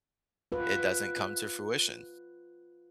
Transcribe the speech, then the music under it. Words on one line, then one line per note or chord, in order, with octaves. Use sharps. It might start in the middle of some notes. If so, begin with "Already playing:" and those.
it doesn't come to fruition.
F4 B4